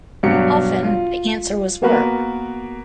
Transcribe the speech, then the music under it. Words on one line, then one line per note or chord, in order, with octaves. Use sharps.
Often the answer was work.
G2 B2 F#3 F#4 G4 C#7
F4
A#3 B3 F#4 A#4 B4